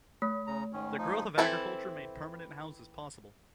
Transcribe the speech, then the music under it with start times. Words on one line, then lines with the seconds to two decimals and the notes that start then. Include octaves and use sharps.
The growth of agriculture made permanent houses possible.
0.22 A3
0.47 C#3 A#5
0.73 G#2 D#3 C#4
0.98 F3 D#4
1.38 E3 A3 C4 E4 A4